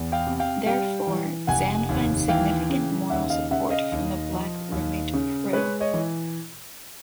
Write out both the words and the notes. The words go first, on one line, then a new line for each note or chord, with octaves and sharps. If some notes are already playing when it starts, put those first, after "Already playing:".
Therefore, Zan finds significant moral support from the black roommate Prue.
Already playing: E2
F5 G5
C3
F5 G5
G3 F5 G5
E3
F1 F#5 G#5
D#2
E3 F5 G5
C#3
D#2 E5 F#5
D#5 F5
C#3 E5 F#5
D#5 F5
D#2
F3
D#2
C#3
G#3 B4 C#5
C#5 D#5
E3